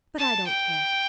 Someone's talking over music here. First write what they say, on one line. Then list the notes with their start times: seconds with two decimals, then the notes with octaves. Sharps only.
But I don't care.
0.18 A5
0.48 G5